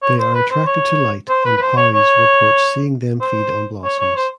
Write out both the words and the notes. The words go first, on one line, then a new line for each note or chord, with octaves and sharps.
They are attracted to light and Howes reports seeing them feed on blossoms.
C#5
C5
B4
C5
C#5
C5
B4
B4
C5
C#5
C#5
C5
C#5
C#5
C5